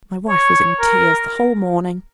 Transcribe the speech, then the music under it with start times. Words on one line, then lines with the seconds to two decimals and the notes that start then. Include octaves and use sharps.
My wife was in tears the whole morning.
0.29 C#5
0.80 A#4